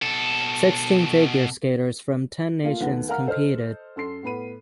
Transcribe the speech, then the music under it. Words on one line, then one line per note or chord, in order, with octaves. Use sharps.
Sixteen figure skaters from ten nations competed.
B2 A4
A3 A#3 F4
D#2 A3 B3 F#5
A#4 F5 F#5 A#5 F6
A4 C5 D#5 F6
F#2 A4 C6 C7
A2 B3 B5 D#7